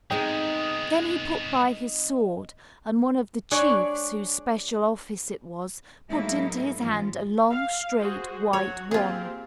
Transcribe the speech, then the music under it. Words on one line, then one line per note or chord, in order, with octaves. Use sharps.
Then he put by his sword; and one of the chiefs, whose special office it was, put into his hand a long, straight, white wand.
G#3 B3 C4 D#4 G#4 D#5 G5
G#3 D4 C#5 D5
A2 F#3 G#3 A#3 D#4 E4
G#2 E3 F3 G#3 C#4 F4
F5
F#4 G#4 C5
F#3 F#4 C#5
A#3 C4 F4 G4 G#4